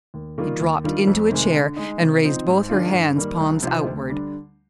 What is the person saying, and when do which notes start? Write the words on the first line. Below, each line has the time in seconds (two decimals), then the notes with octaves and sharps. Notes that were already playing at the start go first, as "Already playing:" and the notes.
She dropped into a chair and raised both her hands, palms outward.
0.14 D#2
0.38 D#3 G3 A#3 F4
0.61 D#2
0.84 D#3 G3 D4 F4
1.07 F2
1.30 C3 D#3 G#3
1.53 D3
1.76 G#3 D#4
2.00 C3
2.23 F3 C4 D#4
2.47 G#2
2.70 D#3 G#3 D4 F4
2.93 G2
3.16 D#3 G3 A#3
3.40 C2
3.63 C3 F3 C4 D#4
3.86 D2
4.09 D3 G3 D4